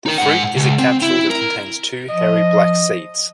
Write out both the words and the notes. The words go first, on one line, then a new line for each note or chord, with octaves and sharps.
The fruit is a capsule that contains two hairy black seeds.
D#4 A#4
G#2 F#5
C#2
C4
E4
A#4
F3 D#5